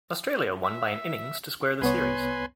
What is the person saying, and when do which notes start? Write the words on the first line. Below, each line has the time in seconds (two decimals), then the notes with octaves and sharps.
Australia won by an innings to square the series.
0.64 E5
1.81 C2 B3 B4 C#5 G#5 C6